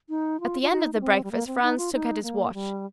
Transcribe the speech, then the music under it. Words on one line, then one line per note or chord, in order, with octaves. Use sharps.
At the end of the breakfast Franz took out his watch.
D#4
F4
F4
D#4
D#4
C4
G3
A#3
C4
D#4
F4
D#4
A#3
G3